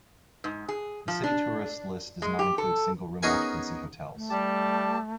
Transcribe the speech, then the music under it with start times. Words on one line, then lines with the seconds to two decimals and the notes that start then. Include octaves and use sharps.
The city tourist list does not include single room occupancy hotels.
0.44 G#2
0.69 G#4
1.08 F3
1.23 D4
2.22 G#3
2.39 G4
2.58 A4
3.23 B3 C#4 D#4 G#4 A#4 G#5
4.15 A3
4.30 G3 G4 A5